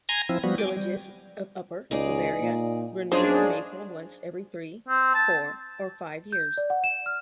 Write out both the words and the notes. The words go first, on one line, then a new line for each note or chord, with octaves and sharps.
Villages of Upper Bavaria renew their Maypole once every three, four, or five years.
G#5 A#5 C6 G#6 A#6
F3 C4 E4
F3 G3 B3 F#4
G5 G#5 D6
G3
C#2 D#4 G#4 D5
A#2
F#2 F3 F#3 D4 D#4 G#4 C5
C4
A5
G6
D5
F#5
E7
F6